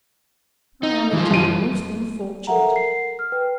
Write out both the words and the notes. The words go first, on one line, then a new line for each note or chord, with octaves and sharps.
I am indeed most unfortunate.'
D#4
E3 F3
F#2 D#7
A4 A#4 E5 F#5 A#5
C7
F6
B4 G5